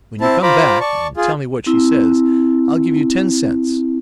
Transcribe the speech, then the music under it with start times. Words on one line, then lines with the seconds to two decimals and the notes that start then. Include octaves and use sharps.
When you come back and tell me what she says, I'll give you ten cents.
0.21 C4 E4 A5
0.42 F4 C5 A#5 B5 D6
0.81 D5 A5 C#6
1.17 F4 G#4
1.66 C4 E4